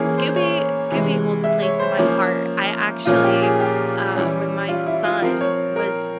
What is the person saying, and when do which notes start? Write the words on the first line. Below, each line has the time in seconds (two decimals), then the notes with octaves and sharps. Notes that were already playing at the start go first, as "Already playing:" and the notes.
Scooby Scooby holds a place in my heart. I actually uh, when my son was
Already playing: E3 A#3 C#4 G#4
0.18 C5
0.36 C#5
0.91 C3 E3 G#3
1.44 E5
1.62 C#5
1.79 C5
1.97 F3 A#3 C#4
3.05 A#2 F3 A#3 C#4 F4
3.24 G4
3.42 G#4
3.60 G4
4.15 E3 G3 C#4
4.68 F4
4.87 E4
5.04 F4
5.22 F3 C4 A#4
5.41 C#5
5.76 A#4